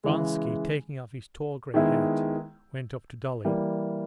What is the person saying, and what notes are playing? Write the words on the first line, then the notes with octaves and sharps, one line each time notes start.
Vronsky, taking off his tall gray hat, went up to Dolly.
C#3 E3 G#3
D#3 G#3 B3 E4
E3 G3 A#3